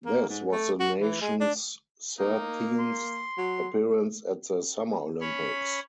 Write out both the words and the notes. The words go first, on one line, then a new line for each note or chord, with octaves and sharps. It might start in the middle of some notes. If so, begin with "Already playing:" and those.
This was the nation's thirteenth appearance at the Summer Olympics.
A#3
G#2
A3
F#4
E3
G#3
D4
A#3 D#4
C6
F#3
C#4 C#5 B5